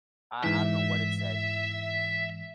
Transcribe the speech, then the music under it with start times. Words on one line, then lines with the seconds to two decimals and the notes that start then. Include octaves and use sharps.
I I don't know what it said.
0.44 G#2 E3 E5